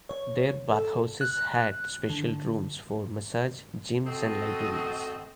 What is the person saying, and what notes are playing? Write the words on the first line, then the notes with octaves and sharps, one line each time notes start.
Their bathhouses had special rooms for massage, gyms, and libraries.
C#5
A4
F#6
D3
C4 F#4 A4 D#5